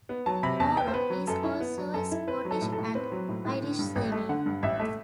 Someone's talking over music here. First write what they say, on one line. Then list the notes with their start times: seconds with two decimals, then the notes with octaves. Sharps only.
"Morrow" is also a Scottish and Irish surname.
0.09 B3
0.26 F#3 A5
0.43 C3 B5
0.60 E2 A5
0.77 B3 G5
0.88 C5
0.94 B3 B4
1.10 F#3
1.27 F#2 A4
1.44 E4
1.60 B3
1.78 F#3
1.94 F#2 A4
2.11 E4
2.27 C4 B4
2.45 F#3
2.51 A4
2.61 A2
2.73 A4
2.78 A2
2.95 C4 B4
3.12 F#3
3.29 A2
3.45 A2
3.62 D3
3.79 G2
3.96 A1
4.12 A3
4.29 D3 F#5
4.46 G2
4.63 A1 E5
4.79 A3